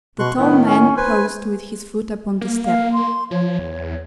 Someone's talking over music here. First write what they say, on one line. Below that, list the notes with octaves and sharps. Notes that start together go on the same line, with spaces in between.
The tall man paused with his foot upon the step.
B2 C6 C#6 F#6
A2 D#3 B3
C#4
B4 C5 G#5
A#3
F5
C6
F3 C#5
E2